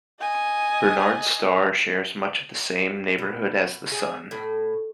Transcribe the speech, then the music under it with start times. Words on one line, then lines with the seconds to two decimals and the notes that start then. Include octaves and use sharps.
Barnard's Star shares much the same neighborhood as the Sun.
0.20 D#5 G#5
3.18 B2
3.92 G#4
4.31 A2